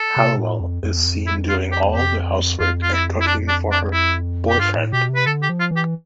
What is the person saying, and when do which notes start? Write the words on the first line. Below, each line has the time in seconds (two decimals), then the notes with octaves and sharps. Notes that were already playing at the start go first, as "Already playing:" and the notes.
Halliwell is seen doing all the housework and cooking for her 'boyfriend'.
Already playing: A4
0.16 C3
0.38 A2
0.60 F2
0.83 F2
0.97 E2
1.05 F2
1.27 E4
1.49 F4
1.72 G4
1.88 E2
1.94 F2 G4
2.60 F2 F4
2.83 F4
2.93 E4
3.21 E4
3.27 D4
3.48 D4
3.72 D4
3.93 E4
4.50 G4
4.60 G2 F4
4.76 A2
4.93 B2 G4
5.09 C3
5.16 B4
5.26 D3 A4
5.43 G4
5.49 F3
5.60 F4
5.71 E3
5.76 G4